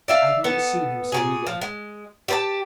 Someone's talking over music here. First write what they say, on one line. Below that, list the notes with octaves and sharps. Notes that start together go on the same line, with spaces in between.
I have never seen him so eager.
D5 E5 F5
B3 A4
A#2 D#3 G#4
F3
G#3
G4 B4 A5